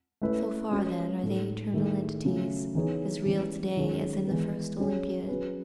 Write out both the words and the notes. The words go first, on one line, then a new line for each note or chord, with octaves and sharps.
So far then are they eternal entities, as real to-day as in the first Olympiad.
A3 C#4 E4 B4
G#3 C#4 F#4 C#5
A2 G#3 D#4 A4
D#3 A3 E4 G#4
C#3 F#3 A3
E3 B3 D#4 G#4 C#5
E3 G#3 C#4 E4
D#3 G#3 C#4 G#4 C#5
E3 G#3 B3
F#3 C#4 G#4 C#5
F#3 C#4 G#4 B4